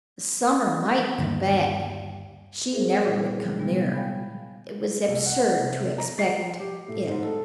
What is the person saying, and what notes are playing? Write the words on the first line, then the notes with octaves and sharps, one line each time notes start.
The summer MIGHT come back; she never would come nearer: it was absurd to expect it.
G1 D#2
G#4 A#4 C5 E5
A#2 G3 E4
D3 F3 F#3 G#3
C3 F#3 G3 B3
F5 G5 G#5 B5
C2
F#5
C3
A#5
C7
F3
G4
A2
G#2
A4